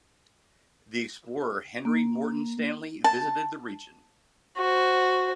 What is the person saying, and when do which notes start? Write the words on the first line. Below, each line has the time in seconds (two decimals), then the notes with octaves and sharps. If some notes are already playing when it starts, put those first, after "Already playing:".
The explorer Henry Morton Stanley visited the region.
1.85 A#3
3.04 A5
4.58 F#4 C5